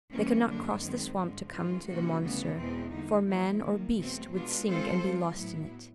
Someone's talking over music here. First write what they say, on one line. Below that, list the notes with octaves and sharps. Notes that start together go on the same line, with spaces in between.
They could not cross the swamp to come to the monster, for man or beast would sink and be lost in it.
C3 E3 G3 A#3 C#4
F#2 D3 G3 A#3 D4
D#3 G#3 C4
G2 D3 F3 G#3 C4
G#2 E3 G#3 C#4 F4
C3 F3 A#3 C#4 F#4
D2 C#3 E3 G3 B3
E2 B2 G#3 C4
D3 G3 A#3 D#4
A#2 F3 G#3 C4 E4
D#3 G3 A#3
E2 B2 F#3 A3 C4
B2 G#3 B3 D4 F4
G#3 C4 F4 A4 C5
G3 C4 F4
A2 F#3 B3 E4